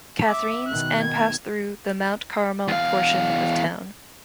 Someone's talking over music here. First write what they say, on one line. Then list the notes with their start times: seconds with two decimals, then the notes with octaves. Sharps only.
Catherines and pass through the Mount Carmel portion of town.
0.25 E5 D6
0.68 B2 D#3 F#6
1.02 G#6
2.68 E2 F5